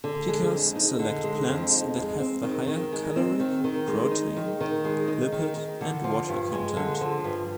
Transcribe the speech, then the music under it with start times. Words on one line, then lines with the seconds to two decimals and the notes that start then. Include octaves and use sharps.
Pikas select plants that have the higher caloric, protein, lipid and water content.
0.04 D3
0.28 G#3
0.51 F2
0.76 D#4
0.99 D3
1.24 G#3
1.48 F2
1.72 D#4
1.96 G#3
2.20 C4
2.43 D#3
2.68 D#3
2.92 G#3
3.16 C4
3.40 D#3
3.64 D#3
3.88 G#3
4.12 D#4
4.37 D#3
4.61 D#3
4.85 G#3
5.08 D#4
5.32 D#3
5.57 D#3
5.81 D3
6.04 F3
6.28 G2
6.52 G#3
6.76 D3
7.01 F3
7.24 G2